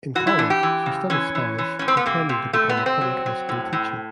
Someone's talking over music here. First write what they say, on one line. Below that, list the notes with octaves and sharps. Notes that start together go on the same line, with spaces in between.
In college, she studied Spanish, intending to become a public high school teacher.
E3 F#4
E4
E3 D4
G4
E3
C#3
E3 C#4
E3
E3
A2 C#4
C4
B3
C3 A#3
C3
C3 A3
B3
C3
C4
F#3
F#3
A2
A2